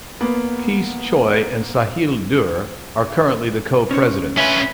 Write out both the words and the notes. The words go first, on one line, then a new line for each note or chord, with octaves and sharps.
Peace Choi and Sahil Durr are currently the Co-Presidents.
A#3 B3
C#4 C5 C#5
C#4 B4 E5